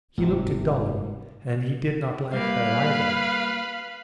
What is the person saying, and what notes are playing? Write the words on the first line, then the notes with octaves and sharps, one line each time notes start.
He looked at Dolly, and he did not like her either.
G1 G#2 C3 G3
G3 A#3 B4 F5